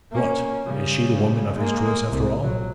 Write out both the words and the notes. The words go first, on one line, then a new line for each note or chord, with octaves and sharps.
'What--is she the woman of his choice after all?'
A#3 C#4
C#3 G3
G#3 A#3
C2
A#1 F#3